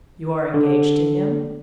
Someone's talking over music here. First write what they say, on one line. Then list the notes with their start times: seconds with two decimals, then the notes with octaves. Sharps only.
"You are engaged to him?"
0.54 D3